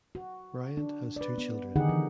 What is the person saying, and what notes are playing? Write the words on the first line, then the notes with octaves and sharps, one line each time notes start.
Bryant has two children.
F#4
D4
B4 D5
B3
D3 D#3 D#4 G4 G#4 F#5
E3